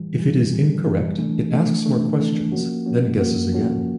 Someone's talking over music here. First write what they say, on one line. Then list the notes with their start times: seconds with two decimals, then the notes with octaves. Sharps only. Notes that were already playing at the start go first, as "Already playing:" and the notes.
If it is incorrect, it asks more questions, then guesses again.
Already playing: A2 E3 G3
0.17 A2 E3 G3
0.51 A2 E3 G3
0.84 A2 E3 G3
1.18 C3 E3 A3 D4
1.51 C3 E3 A3 D4
1.85 C3 E3 A3 D4
2.18 C3 E3 A3 D4
2.52 F3 A#3 C#4 F#4
2.86 F3 A#3 C#4 F#4
3.19 F3 A#3 C#4 F#4
3.52 F3 A#3 C#4 F#4